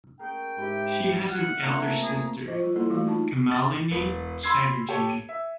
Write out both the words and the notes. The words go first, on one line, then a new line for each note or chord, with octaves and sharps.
She has an elder sister, Kamalini Chatterjee.
C#4 G#4 A#4 G5
G#2 E4 G4
F#5 F6
A#2 A3 C4 A4 A#5
G#4
F3 F4 C5 D#5
G3 F4
G3 A#3 E4 A4
E3 G3 A3 F#4 F5
D#4 F4 A5
A6
E1 B4
B5 C6 E6 G#6 C7
G4 A4 C#5
D#7
E5